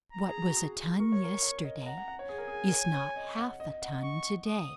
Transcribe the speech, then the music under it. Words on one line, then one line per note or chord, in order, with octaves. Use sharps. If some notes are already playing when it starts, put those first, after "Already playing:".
What was a ton yesterday is not half a ton today.
A#5
G#4
F#4
G#4
A#4 C#6
C#5
A#4
C#5
D#5
F#5 A#5
F#5
F#5
C#5
G#4 G#5
A#4
G#4
A#4
C#5
C#5
D#5
F#5
D#5
D#5
F#5
D#5
C#6
D#6